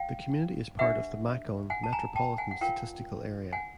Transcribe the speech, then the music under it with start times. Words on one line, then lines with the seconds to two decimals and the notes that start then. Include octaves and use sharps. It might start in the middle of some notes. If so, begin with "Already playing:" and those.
The community is part of the Macon Metropolitan Statistical Area.
Already playing: F5 G5
0.79 D4 G4 B4 E5 F#5
1.70 F#5 G#5
1.84 A5
1.93 G#5 A#5
2.16 G5 A5
2.38 F#5 G#5
2.51 F#5
2.61 F4 A#4 C#5 F5 G5
3.53 F#5 G#5